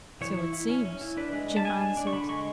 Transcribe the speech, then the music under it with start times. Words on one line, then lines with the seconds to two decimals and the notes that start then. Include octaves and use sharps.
"So it seems," Jim answered.
0.21 E3 C#5
0.37 E4
0.53 E4
0.69 C#4
0.85 C#4
1.01 E4
1.17 D4 B4
1.33 G#3
1.50 D4
1.56 A5
1.65 G#3 G#5
1.81 D4
1.97 D4
2.07 C#6
2.13 D3 B5
2.29 G#3 C#6